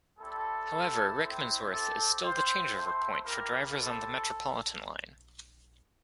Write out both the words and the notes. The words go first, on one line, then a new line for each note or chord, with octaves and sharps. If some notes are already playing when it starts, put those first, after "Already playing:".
However, Rickmansworth is still the changeover point for drivers on the Metropolitan line.
G3 C4 E4 A4
A3 C4 E4 G4
G3 C4 E4
C4 G4 A4
C4 F4 C5
A3 C4 E4 C5
A#3 E4 G4 A#4
C4 E4 G4 A4